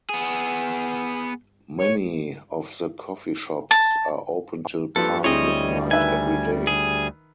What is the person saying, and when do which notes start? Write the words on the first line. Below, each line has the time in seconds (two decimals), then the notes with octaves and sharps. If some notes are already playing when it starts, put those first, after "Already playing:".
Many of the coffeeshops are open till past midnight every day.
0.09 B3 G#4
1.79 C#5
3.71 A5
4.96 G2 F3 A#3 A4 B4
5.24 D2 G3 C4 E4 G#4 C#5 D#5
5.91 D#3 B4 E5 G#5
6.67 G#4